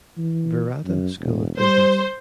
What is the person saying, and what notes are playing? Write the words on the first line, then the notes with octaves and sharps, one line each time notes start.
Virata School of Business.
E3
F#2
E1
G3 C5